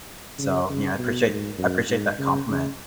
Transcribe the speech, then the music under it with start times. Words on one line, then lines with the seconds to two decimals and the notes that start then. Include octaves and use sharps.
so, you know, I appreciate I appreciate that compliment.
0.39 C#3
0.69 C#3
0.98 B2
1.29 G#2
1.58 F#2
1.89 G#2
2.19 C#3
2.48 C#3